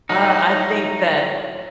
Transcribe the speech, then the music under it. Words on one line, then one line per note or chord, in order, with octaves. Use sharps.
Uh, I think that
A2 F#3 A#3 D#4